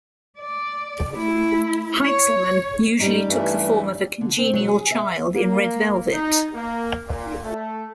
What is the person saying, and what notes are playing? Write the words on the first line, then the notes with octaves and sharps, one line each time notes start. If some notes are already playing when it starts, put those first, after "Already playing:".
Heinzelmann usually took the form of a congenial child in red velvet.
D5
A3 E4
C#5
G3 C#4 D#4
G2 E3 A3
D3
C4
F#3
G#4
E5
A#3
D#4
A#3
A#2
A3